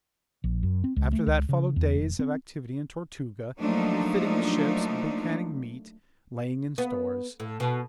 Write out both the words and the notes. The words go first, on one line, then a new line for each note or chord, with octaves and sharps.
After that followed days of activity in Tortuga, refitting the ships, boucanning meat, laying in stores.
A#1
F#2
C4
C#2
A3
C#2
C#3
E2
F1
C4
F3 F#3 A3 A#3 D4 D#4
B3
A2
B2